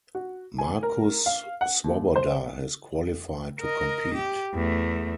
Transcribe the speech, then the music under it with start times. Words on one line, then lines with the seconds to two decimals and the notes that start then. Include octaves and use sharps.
Markus Swoboda has qualified to compete.
0.15 F#4
0.58 G#5
0.83 A#4
1.26 F5
1.61 F#5
1.84 D#2
2.16 C5
3.60 A#4 D#5
4.14 G4
4.54 E2 A3